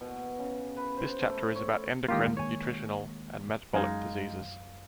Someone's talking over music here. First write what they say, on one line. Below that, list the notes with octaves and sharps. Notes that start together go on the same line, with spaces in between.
This chapter is about Endocrine, nutritional and metabolic diseases.
B2
C#3
B4
C5
A3
C#5
D#3 G#3 A#3 F4 G4 D#5
C#5 G#5
F#2 G#3 D#4 F5 G#6